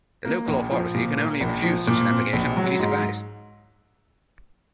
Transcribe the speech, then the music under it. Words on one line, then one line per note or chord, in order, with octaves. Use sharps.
The local authority can only refuse such an application on police advice.
A#3
A#1
F3
A#2
A#3
A#1
F3
A#2
C4
A#1
F#3
G#2